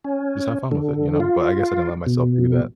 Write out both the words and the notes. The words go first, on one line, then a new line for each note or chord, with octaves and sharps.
"Just have fun with it," you know, but I guess I didn't let myself do that.
C#4
D3
F4
B2